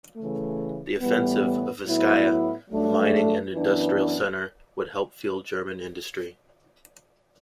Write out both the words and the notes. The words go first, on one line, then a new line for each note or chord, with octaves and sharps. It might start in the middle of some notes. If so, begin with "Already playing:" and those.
The offensive on Vizcaya, a mining and industrial centre, would help fuel German industry.
C#3 E3 A3
A2 E3 G3 B3
A2 F#3 B3 E4
G2 F#3 A3 D4
F#2 E3 B3 D4